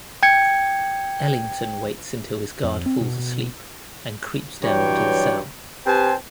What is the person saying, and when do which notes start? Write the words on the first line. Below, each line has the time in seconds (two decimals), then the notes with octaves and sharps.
Ellington waits until his guard falls asleep and creeps down to the cell.
0.23 G5 G#6 C#7
2.64 F2
2.86 C4
3.01 B2
4.63 G2 E3 F#3 C#5 D5 G5
5.86 C4 G4 B4 C5 G#5 A5